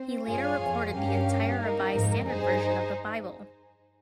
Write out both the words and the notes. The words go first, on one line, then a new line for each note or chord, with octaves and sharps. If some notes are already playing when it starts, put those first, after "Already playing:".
He later recorded the entire Revised Standard Version of the Bible.
Already playing: C4 C5
G2 F4 G#4 C#5 F5 G#5
F2
G2 C#4 G4 A#4 F5
A#3 D#4 A#4
F2 G#2
G2 D#4 G#4 C5